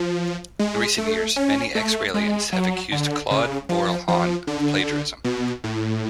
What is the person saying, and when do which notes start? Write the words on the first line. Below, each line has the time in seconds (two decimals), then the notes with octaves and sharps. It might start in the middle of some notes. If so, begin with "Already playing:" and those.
In recent years, many ex-Raelians have accused Claude Vorilhon of plagiarism.
Already playing: F3
0.59 G#3
0.98 A3
1.36 C#4
1.75 A3
2.14 G#3
2.53 F#3
2.92 D3
3.31 C#3
3.69 F3
4.08 F3
4.47 D3
5.24 B2
5.64 A2